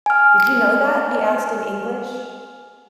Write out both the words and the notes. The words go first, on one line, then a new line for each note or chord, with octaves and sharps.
"Did you know that?" he asked in English.
G#5 F6